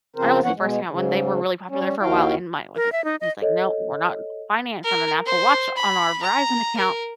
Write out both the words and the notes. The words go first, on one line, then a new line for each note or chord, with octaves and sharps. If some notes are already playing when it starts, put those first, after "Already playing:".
I don't wanna say first came out when they were really popular for a while and my like, I was, like, "No, we're not financed on an Apple Watch on our Verizon account,"
C#3 F3 C4 A#4 C5
G2 E3 F3 C#4 C#5 F#5
B2 G#3
G#2 C#3
G3 C#4
D#2 D#3 E4 F#4 F5 G5
A#4
E5
D#4
D#5
A4 C#5 D#5
A#4
C5
B5
A#5
A#4